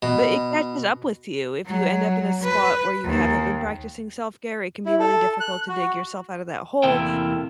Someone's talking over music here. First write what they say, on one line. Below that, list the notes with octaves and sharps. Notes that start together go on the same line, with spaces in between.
but it catches up with you. If you end up in a spot where you haven't been practicing self-care, it can be really difficult to dig yourself out of that hole
B2
F#3
B4
D#2
E4
A4
F#6
F#4
E2 C3 A#3 E4 A4 G5